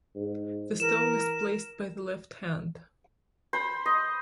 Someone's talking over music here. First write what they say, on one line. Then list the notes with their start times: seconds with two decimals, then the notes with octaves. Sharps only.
The stone is placed by the left hand.
0.16 G#2
0.80 E3 A#4 E7
3.53 C5 B5
3.86 D#5